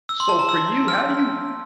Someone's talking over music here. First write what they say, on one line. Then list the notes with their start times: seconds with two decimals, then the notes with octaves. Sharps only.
So, for you, how do you
0.09 E6
0.20 C6
0.29 A5
0.39 A#5
0.49 E6
0.88 F6